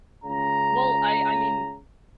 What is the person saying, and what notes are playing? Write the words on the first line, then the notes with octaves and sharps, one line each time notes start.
Well, I I mean
C#2 C#3 A#5